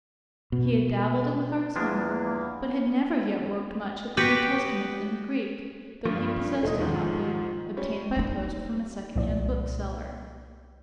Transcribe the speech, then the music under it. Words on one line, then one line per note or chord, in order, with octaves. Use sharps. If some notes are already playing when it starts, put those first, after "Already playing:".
He had dabbled in Clarke's Homer, but had never yet worked much at the New Testament in the Greek, though he possessed a copy, obtained by post from a second-hand bookseller.
B2
E2 F3 G#3 A#3 D4
B3 F#4 G4 B4
G2 F3
E1 A3 D#4
G#2 D#3 F3
G3 C#4
A#3 D#4
C2 A#2 F3 D5